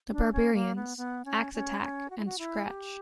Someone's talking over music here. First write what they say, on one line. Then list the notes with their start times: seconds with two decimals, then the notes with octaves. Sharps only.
"The Barbarians", "Axe Attack" and "Scratch".
0.11 D4
0.33 C#4
0.54 A#3
0.75 B3
0.97 B3
1.25 C#4
1.54 C#4
1.81 C#4
2.10 F#4
2.18 E4
2.25 F#4
2.39 E4
2.66 G4